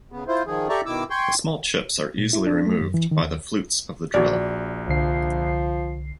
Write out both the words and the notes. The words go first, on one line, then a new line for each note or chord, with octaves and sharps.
The small chips are easily removed by the flutes of the drill.
C#3 B3
E4 F4 C5
D#3 F3 G#4
G4 A4 D5 E5 A#5 C#6
B2 D#3 E4 D6 E6
G5 G#5 C6 C#6
A#2
E4
D4
A3
F#2
E3
D#3
D#2
A#1 F#4 D5
C2 D3 F3 C7